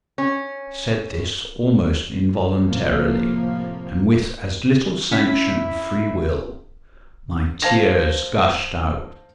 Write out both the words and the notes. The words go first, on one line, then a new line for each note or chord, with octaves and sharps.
I said this almost involuntarily, and, with as little sanction of free will, my tears gushed out.
C#4
A2 C3 F3 A#3
C#4 E4 B6
C5 F5 A5 G#6 A#6